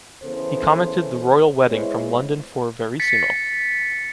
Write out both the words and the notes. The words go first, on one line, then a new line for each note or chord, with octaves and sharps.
He commented “The Royal Wedding” from London for “Verissimo”.
C#3 E3 B3 A4 C5
G#3 B3 E4 C5 C#5
A6 B6 C#7